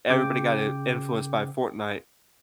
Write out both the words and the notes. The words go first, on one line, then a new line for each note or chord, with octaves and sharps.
everybody got, in influenced by Fortnite
C#3 G5 D6